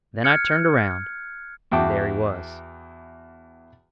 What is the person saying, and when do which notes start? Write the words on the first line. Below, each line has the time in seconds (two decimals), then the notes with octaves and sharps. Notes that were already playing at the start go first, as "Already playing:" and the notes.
Then I turned around and there he was.
0.24 F6 F#6 G#6 C#7
1.71 E2 E3 F#4 G5 A5 D6